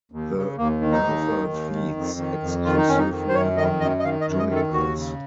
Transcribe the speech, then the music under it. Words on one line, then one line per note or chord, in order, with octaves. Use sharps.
The larva feeds exclusively on junipers.
D#2
C#3
D#2 A#3
D#3
D#4
D#2
D#3
D#2
D#3
F2
D#3
F2
D#3 F4
D#4
F2 C#4
D#4
D#3
C5
F#2 C#5
D#3 D#5
F#2 D#5
D#5
D#3 F5
D#5
F#2
D#5
D#3
A4
D#2 F#4
C#3